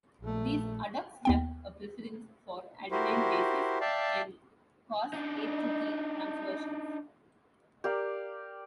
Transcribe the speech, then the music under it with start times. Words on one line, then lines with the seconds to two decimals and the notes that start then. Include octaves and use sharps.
These adducts have a preference for adenine bases, and cause A-to-T transversions.
0.21 A#1 A3
1.25 D#2 B3 G5
2.91 E4 F#4 G4 A#4 C5
3.81 D5 E5 F5 G5 A5
5.13 D4 D#4
7.84 G4 A#4 D5 F5